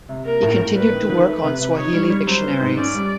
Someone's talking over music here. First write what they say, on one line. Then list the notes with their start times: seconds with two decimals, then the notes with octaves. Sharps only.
He continued to work on Swahili dictionaries.
0.09 C3
0.25 A#3 A#4
0.42 A2
0.59 A2
0.76 A#3 B4
0.93 D#3
1.09 D#3
1.26 A3 B4
1.43 C3
1.60 C3
1.77 D#4 C#5
1.93 G3
2.10 G3
2.27 F#3 C5
2.44 B3
2.60 G#2
2.77 C#4 D5
2.94 G3